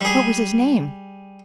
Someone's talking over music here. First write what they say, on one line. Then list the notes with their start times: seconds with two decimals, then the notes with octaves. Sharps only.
"What was his name?"
0.01 G3 G#4